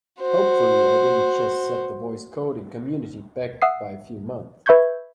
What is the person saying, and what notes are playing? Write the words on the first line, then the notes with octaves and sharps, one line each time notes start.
Hopefully I didn't just set the voice coding community back by a few months!
F#4 C5
E5 F#5 D#6 C7
B4 E5 B5 C#6 G6 G#6